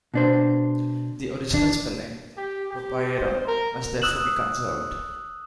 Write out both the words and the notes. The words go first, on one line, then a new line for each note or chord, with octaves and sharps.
The original spelling, "popeiorum", must therefore be conserved.
B2 D4 C5
D4
G4
G4
C5
A#4
D#6 E6 F#6 E7 F#7